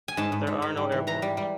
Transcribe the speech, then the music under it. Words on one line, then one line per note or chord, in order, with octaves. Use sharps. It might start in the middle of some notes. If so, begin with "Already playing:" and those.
There are no airports.
G#5
G#2 A5
G#2
G#2
G#2
G3
E3
E3 A#5
G3
G3